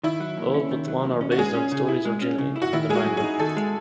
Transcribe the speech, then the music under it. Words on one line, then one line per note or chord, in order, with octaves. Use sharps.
All but one are based on stories originally in the manga.
D#3 E4
F#3
D#2
C#4
D#3
F#3
D#2
C#4
F#4
G#3 G#4
C#4
C#3
E4
G#3
C#4
C#3
E4
F#4
D#3 E4
G#3 G#4
F#4
F#2
G#4
D#4
D#3 A4
G#3